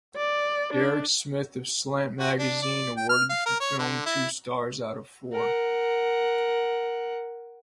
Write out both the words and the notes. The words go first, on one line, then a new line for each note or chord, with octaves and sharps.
Derek Smith of "Slant Magazine" awarded the film two stars out of four.
D5
D4
F#4
D4
D5
G5
F6
F5
A#4
C#5
D3
E4
A#4 F#5